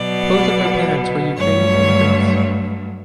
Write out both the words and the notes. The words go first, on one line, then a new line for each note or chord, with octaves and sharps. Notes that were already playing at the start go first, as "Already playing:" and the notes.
Both of her parents were Ukrainian immigrants.
Already playing: B2 F#3 B3 D5
G2 F#3 A3 C#5